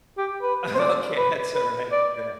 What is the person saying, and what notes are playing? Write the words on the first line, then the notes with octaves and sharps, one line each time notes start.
Okay, that's alright. Yeah.
G4
B4
C5
D5
B4
B4
D5